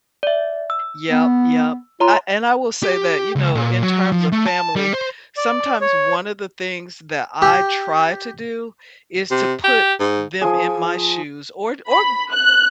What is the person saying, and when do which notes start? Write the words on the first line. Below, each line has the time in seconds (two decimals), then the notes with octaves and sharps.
Yep. Yep, uh, and I will say that, you know, in terms of family, sometimes one of the things that I try to do is to put them in my shoes, or t or
0.23 D5 E5
0.70 E6
1.11 B3
2.00 F4 C#5 A#5 C6
2.83 G4
3.36 C#2
3.55 A#2
3.83 F#3
4.12 F3
4.32 A3
4.46 A5
4.76 G3
4.94 C5
5.37 D5
5.81 C#5
7.42 G4
9.31 C3
9.64 G4
9.99 G#2
10.41 F3 G#4
11.88 B5
12.33 F#6